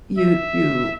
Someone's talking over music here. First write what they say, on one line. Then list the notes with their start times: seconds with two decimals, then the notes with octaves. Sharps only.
you you
0.18 E5